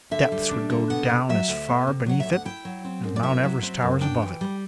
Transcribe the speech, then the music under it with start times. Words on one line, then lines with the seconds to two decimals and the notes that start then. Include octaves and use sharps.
The depths would go down as far beneath it as Mount Everest towers above it.
0.11 D3 E5
0.32 G3
0.51 D4
0.70 D3
0.90 B3 F#5
1.09 C3
1.29 F#3 E5
1.48 D2
1.68 B3
1.87 C3
2.06 F#3 F#5
2.20 E5
2.26 D2
2.33 F#5
2.45 E4 G5
2.65 F#3
2.84 C4
3.04 F#2
3.16 D5
3.23 E4 E5
3.44 F#3
3.63 C4
3.82 F#2
4.01 D4 G5
4.22 E3
4.41 G3